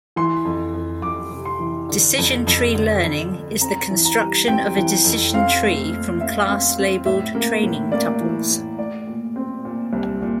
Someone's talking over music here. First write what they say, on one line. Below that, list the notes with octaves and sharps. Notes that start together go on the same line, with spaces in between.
Decision tree learning is the construction of a decision tree from class-labeled training tuples.
E3 C6
F2
F2
F2 D6
C3
C6
E3
D3
F2
F2
D3
F2
F2
C4 A#5
E3
A#5
G3
C4 G5
E3
F2
C4 F5
A3
A#2
C4 E5
C4
C4
A2 E5
A#3
A2
A#3 D5
E3
A2
A3 D5
A#2
C4
A#2
C2
A#2